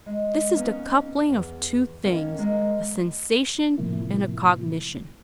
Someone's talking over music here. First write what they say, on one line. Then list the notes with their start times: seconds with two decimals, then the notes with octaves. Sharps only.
This is the coupling of two things--a sensation and a cognition.
0.06 G#3
0.56 A#3 B3 C#4 D#4
1.29 E2
2.04 D#3 A#3 C#4
2.38 G#3 A#3
3.78 A2 C3 F3 A#3 E4